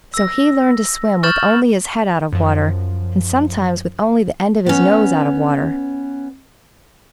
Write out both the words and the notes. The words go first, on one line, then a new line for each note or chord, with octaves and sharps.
So he learned to swim with only his head out of water, and sometimes with only the end of his nose out of water.
E6 A#6
C#6 F6 G6 A6 E7 F#7
F#2 F3
B3 C#4